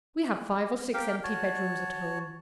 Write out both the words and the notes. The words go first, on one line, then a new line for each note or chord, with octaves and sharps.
We have five or six empty bed-rooms at home.'
G4 A#4 F5 G5
F#4 C#5 A5